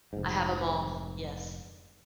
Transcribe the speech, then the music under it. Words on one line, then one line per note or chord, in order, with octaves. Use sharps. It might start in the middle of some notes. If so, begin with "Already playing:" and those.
I have 'em all. Yes.
F1 G#2